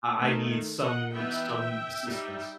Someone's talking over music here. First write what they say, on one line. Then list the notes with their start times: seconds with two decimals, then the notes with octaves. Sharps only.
I I need some some assistance.
0.19 D#3 A3 D#4
0.80 D#5 F#5
1.12 E3 B3 D#4 E5 G5
2.05 G3 D#4